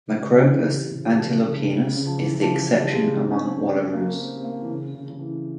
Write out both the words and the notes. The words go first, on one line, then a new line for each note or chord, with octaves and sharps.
"Macropus antilopinus" is the exception among wallaroos.
C#3
E3
C3
C3
F3
C#3
C#3
C#3
F3
E3
E3
F3
G3
G#3
C4
C#4
C4
A#3
C4
C4
A#3
E3
C#3
C#3
C#3
E3